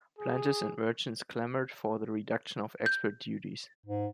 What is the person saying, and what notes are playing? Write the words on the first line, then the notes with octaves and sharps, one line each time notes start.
Planters and merchants clamoured for a reduction of export duties.
G#4
G6
G#2